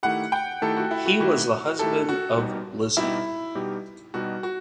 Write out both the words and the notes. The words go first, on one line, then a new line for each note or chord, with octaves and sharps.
He was the husband of Lizzie.
D#3 A3 E4 G4 F#5
G5
D#3 A3 E4 G4 A4
F#4
E4
F#4
D#3 A3 E4 F#4 G4
D#3 A3 E4 G4 A4
F#4
B2 G3 D#4 G4
B2 G3 D#4 E4 G4
B2 G3 D#4 G4
B2 G3 D#4 F#4 G4
F#4